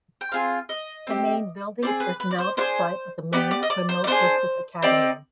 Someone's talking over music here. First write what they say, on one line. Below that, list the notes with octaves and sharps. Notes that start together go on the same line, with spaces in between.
The main building is now the site of the Maine Criminal Justice Academy.
G5
C4 F4 G#4 F5
D#5
C4 G4
C4 F4 G#4 D5
B4
B4
D5
C5
D4 F4 G#4 C5
B3 D#4 G4 D5
D5
D#5
D5
C5
D5
B3 D4 G#4 C5
C4 D#4 G4 D5